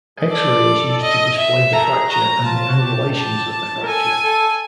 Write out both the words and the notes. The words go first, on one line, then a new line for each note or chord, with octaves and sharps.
X-ray is used to display the fracture and the angulations of the fracture.
G#4
A4 D5
D#5
E5
A4 A#5
G#4
F#4 A#5
F4 A5
F#4
G4
A5
A#4
A4 G#5
A4